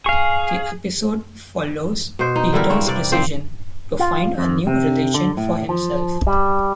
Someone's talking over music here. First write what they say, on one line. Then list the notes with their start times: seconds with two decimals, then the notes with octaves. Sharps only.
The episode follows Peter's decision to find a new religion for himself.
0.06 G#4 F5 C#6
2.19 B2 C5
2.36 D#4
2.53 D3 G3 E4 A#4
2.70 G2 C4 C#5
2.87 C3 D5
3.12 F3 C4 C5
3.99 F4
4.38 F2
4.67 C3
5.14 D3
5.37 A2
5.69 F3
6.27 G3